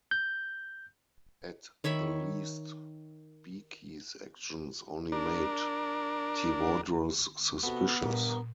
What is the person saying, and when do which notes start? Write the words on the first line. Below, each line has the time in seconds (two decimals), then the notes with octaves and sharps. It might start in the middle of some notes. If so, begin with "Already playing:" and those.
At the least Beke's actions only made Tewodros suspicious.
0.11 G6
1.84 D#3 C#5 E5 B5
5.12 D4 A#4
7.63 C3 B3 F#4 A4
8.04 G2 A#2 A#4